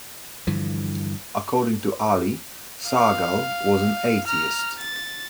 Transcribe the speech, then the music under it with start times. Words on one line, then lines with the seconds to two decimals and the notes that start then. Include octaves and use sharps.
According to Ali, Sahgal was an atheist.
0.47 G2 D3 E3 F3
2.89 F5
4.27 A#5 F6
4.79 A6